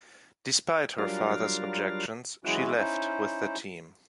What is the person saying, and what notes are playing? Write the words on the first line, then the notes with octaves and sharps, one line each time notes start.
Despite her father’s objections, she left with the team.
F#3 G3 D4 F4 A#4 F5
E3 F#3 G#3 C#4 E4 F#4
C#4 D#4 E4 C5